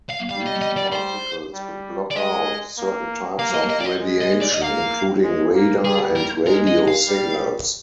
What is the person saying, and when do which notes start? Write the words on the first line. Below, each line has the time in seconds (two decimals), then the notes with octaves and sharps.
These particles could block out certain types of radiation, including radar and radio signals.
0.10 F5
0.31 G3 F5
0.46 D#5
0.62 D#5
0.77 D5
0.92 C5
1.54 G3
2.11 D5
2.15 G#3 D#5
2.78 A#3
3.38 A#3 F5
3.54 D#5
3.70 D#5
3.81 D5
3.85 D#5
4.00 G#3
4.21 D#5
4.41 D5
4.54 D#5
4.61 A#3 F5
5.23 G#3
5.54 A#3
5.84 G3 G#4
6.16 A#4
6.46 G#3 A#4
6.67 D#5
6.88 F5
7.08 G3